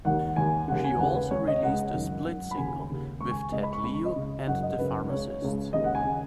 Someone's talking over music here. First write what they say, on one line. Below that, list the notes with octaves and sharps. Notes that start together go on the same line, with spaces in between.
She also released a split single with Ted Leo and The Pharmacists.
D#2 D#3 F#5
D#2 D#3 G#5
D#2 C#3 F#5
G#5
D#2 C#3 F#5
B4
C#2 C#3 C#5
D#5
C#2 C#3 F#5
F#2 D#3
F#2 D#3
B5
D#2 C#3 G#5
D#2 C#3
C#2 C#3 C#6
G#5
C#2 C#3 D#5
B5
C#6
C#2 C#3 B5
D#5
C#2 C#3
F#2 C#3 F#5
D#5
F#2 C#3 B4
C#2 C#3 C#5
C#2 C#3
D#2 C#3 D#5
F#5
G#5
C#3